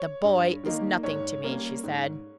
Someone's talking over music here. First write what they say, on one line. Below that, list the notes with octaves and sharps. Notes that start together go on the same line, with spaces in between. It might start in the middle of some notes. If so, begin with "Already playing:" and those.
"The boy is nothing to me," she said.
Already playing: C#5
G2
D#3 A#3 D#4
G#2 C#5
G3 A#3 C#4
G#2